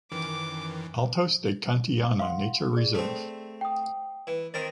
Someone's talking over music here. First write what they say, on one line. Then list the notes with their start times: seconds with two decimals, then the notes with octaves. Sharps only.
Altos de Cantillana Nature Reserve.
0.12 F#2 D#3 E3 D6
2.19 F5 F#5 C6
2.73 G#4 D5
2.95 A3 C4
3.61 G5 D#6
4.27 E3
4.54 D#3 C4 A#4 A6